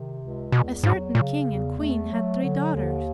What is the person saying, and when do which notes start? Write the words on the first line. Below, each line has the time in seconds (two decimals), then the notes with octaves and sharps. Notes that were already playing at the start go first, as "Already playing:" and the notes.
A certain king and queen had three daughters.
Already playing: C3 D#3
0.21 C#2
0.52 E2 B2
0.83 G#2 F#3
1.15 A#2 C#3
1.47 E2
1.78 A3
2.10 F#3
2.41 D3
2.74 D#2